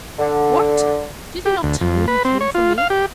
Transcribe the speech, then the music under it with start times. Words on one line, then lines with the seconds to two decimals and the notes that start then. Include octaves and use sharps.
"What! did he not tell him he came from me?"
0.19 D3
1.46 G4
1.63 D2
1.81 F2
2.08 B4
2.25 C4
2.41 C#5
2.55 F4
2.78 F5
2.90 G4